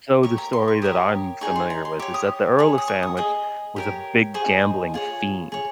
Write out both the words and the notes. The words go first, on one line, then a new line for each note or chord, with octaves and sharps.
so the story that I'm familiar with is that the Earl of Sandwich was a big gambling fiend.
G4 A#4 C#5 C#6
A#5
C6
C#6
G4 A#4 C#5 D#6
D#4 G#4 C#5 C#6
C6
A#5
C6
G4 C#5 C#6
D#6
G#4 C#5
D#6
C#6
D#6
G#4 D#5 D#6
G4 A#4 C#5
G#4 C5 D#5 C#6
F4 G#4 C#5
G#4 C#5